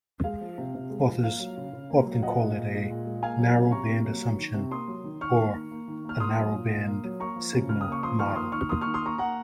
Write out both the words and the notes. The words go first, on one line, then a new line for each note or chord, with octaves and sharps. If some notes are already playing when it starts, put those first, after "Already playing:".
Authors often call it a "narrowband assumption", or a narrowband signal model.
G#3 F5
F3
C3
C3
G#3
F3
A#3 F5
F#3
C#3
C#3
A#3
F#3
A#2 D#5 F#5
G#3
A#2
G#3
A#2
G#3
A#3 F5 G#5
F#3
C3
C3 A#5 C#6
A#3
F#3
F#3
D#3
C3
A#3 C6 D#6
F#3
D#3
D#3 C#6 F6
A#3
D#3
A#3
D#3
A#3 F6
A#3 C6 D#6
F#3
A#2
A#2
A#3
F#3
A#3 A#5 C#6
F3
C#3
C#3 F6
D#6
A#3
C#6
F3 C6 D#6
D#3 C#6 F6
A#3 C6 D#6
D#3 C#6 F6
A#3 C6 D#6
D#3 C#6 F6
C6 D#6
A#3 A#5 C#6
A#3 F#5 A#5